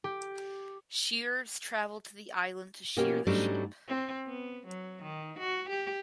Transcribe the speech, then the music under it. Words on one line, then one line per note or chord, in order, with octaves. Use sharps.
Shearers travelled to the island to shear the sheep.
G4
B2 A#3 B3 C#4 G4
G#2 F#3 G3 A3 C#4 D4
C4
B3
F#3
D#3
F#4
G4